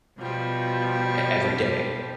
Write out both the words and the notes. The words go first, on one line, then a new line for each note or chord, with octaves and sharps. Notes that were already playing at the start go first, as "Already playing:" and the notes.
e every day.
B2 F3 G3